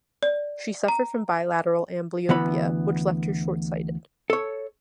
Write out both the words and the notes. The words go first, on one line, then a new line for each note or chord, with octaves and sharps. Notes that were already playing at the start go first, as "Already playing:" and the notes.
She suffered from bilateral amblyopia, which left her short-sighted.
D5
A#5
D2 E3 B3 B5
A4 C#5